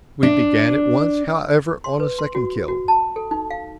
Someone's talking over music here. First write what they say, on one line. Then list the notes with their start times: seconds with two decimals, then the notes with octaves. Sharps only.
We began at once, however, on a second kiln.
0.23 D4
1.84 C6
2.00 B4
2.19 C6
2.35 F#4
2.68 F#4
2.88 A5
3.16 A4
3.31 D#4
3.51 F5